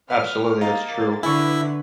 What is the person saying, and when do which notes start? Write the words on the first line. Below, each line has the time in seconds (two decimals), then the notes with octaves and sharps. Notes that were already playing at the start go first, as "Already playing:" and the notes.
Absolutely, that's true.
0.10 B4 F6
0.61 A#3 D#5 F5 A#5 A6
1.23 D3 E4 B4 G#5 C#6